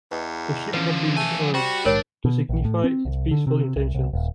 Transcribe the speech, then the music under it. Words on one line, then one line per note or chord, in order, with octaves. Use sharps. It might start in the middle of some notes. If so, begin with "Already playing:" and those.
The ship had been disarmed to signify its peaceful intentions.
E2 B4 D#5
D3 E3 F3 C#4 B4
F3 A3 G#5
G3 F#4 C5
A#1 G#2 D#3 D4 A#4 C#5
B2
A#1
A2
C4
C2
D3
C3
C2
C2
D#1